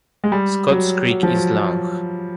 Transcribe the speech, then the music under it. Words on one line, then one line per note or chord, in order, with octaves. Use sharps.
Scotts Creek is long.
G#3
G3
F#3
F#3
F3
F#3